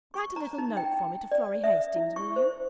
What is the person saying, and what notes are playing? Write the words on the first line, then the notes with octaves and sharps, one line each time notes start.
Write a little note for me to Florrie Hastings, will you?
C#6
A#5
D#4
G5
D5
E5
E4
C#6
C5